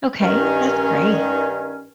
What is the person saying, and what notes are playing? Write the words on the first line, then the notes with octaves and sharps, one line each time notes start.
Okay, that's great.
G2 D#3 C#4